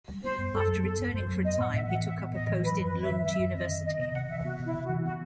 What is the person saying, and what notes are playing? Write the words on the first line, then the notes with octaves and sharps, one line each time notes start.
After returning for a time he took up a post in Lund University.
G3
B3 C5
F#2
F#2 A4
F#3
B3 A4
F#2
F#2 C5
F#3
B3 D#5
A2 F#5
A2 E5
E3 F#5
B3 E5
A2
A2 D#5
E3
F#3 B4
F#2
B4
C4
E5
D#3
F#3 E5
F#2
C4 D#5
D#3
B3 D#5
C3 D#5
C3 F#5
E3 E5
B3 F#4
C3 E4
C3
F#4
E3
B3 F#4